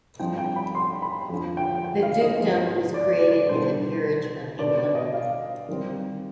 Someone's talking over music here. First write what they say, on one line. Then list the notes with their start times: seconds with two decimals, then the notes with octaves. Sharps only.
The dukedom was created in the Peerage of England.
0.20 G2 F3 C4 D#4 G5
0.38 G5
0.56 B5
0.75 C6
1.02 B5
1.30 F2 D3 F3
1.57 G5
1.84 G5
2.03 F5
2.21 D#5
2.39 G#2 F3 B3
2.94 D5
3.13 D5
3.31 D5
3.49 B2 G3 D4 C5
4.59 B2 B3 D4 D5
4.77 D5
4.95 D#5
5.14 F5
5.69 D#3 G3 C4